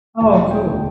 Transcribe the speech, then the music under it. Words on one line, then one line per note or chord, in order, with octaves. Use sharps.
Oh, cool.
E1 A5
G5
D2